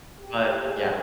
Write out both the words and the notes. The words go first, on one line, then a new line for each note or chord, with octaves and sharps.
but yeah.
G4
G#4